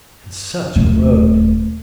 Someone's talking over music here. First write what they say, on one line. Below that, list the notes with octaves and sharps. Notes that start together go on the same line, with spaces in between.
And such a road!
D#1 A3